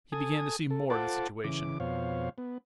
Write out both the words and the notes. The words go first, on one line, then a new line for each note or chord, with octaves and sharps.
He began to see more of the situation.
A4 G#5 D#6
A4
F4 A4 C5 F#5 A5 D6
C#3 E3 D6
F2 B2 C5 C#5 F5
B3